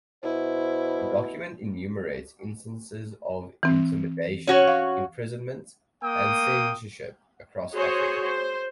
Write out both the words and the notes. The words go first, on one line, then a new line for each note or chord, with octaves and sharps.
The document enumerates instances of intimidation, imprisonment, and censorship across Africa.
B2 E4 C5
E3 C4
C#4 F#4 C#5
F5
A#3 G5 D#6
F#4 G#4 C5 C#5
C5